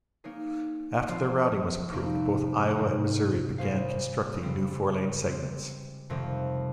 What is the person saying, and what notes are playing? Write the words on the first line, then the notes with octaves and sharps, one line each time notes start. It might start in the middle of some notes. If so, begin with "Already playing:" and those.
After the routing was approved, both Iowa and Missouri began constructing new four-lane segments.
A#3 D#4 G#4 C#5
F3 C4 F4
F2 C3 G3 A#3 D#4
G#2 D#3 G#3 D#4
G3 C#4 G#4 C5 F5
C#3 G3 C4
G#3 C4 G4
F2 C3 D#3 G3